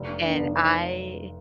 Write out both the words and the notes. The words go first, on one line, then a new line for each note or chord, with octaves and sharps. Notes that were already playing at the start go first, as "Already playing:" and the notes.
And I
Already playing: F1
B3 D4
F1
C4 D#4